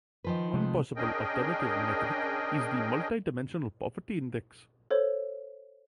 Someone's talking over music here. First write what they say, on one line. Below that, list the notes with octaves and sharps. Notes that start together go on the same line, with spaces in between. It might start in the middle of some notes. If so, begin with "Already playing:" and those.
One possible alternative metric is the Multidimensional Poverty Index.
D#3 F3 B4
C3 G#3 A3
C#4 D4 G#4 A#4 D#5 G5
A4 C5 C#5